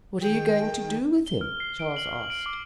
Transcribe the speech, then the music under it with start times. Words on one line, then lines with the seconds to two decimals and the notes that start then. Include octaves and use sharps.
"What are you going to do with him?" Charles asked.
0.21 D#3 G#4 G5
1.26 G7
1.41 F6
1.60 C7
1.79 D7
1.97 F#7
2.30 D7
2.46 D6